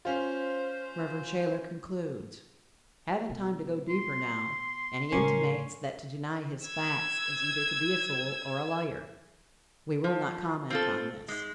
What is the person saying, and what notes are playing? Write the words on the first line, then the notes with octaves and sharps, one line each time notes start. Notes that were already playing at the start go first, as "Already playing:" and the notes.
Rev. Shayler concludes: "Haven't time to go deeper now," and he intimates that to deny his 'facts' is either to be a fool or a "liar." We will not comment on this.
C#4 F4 C5
B2
C6
A2 C#3 C#4 A#4
E6 G#6
F3
C4 F4 A4
G#2 G#3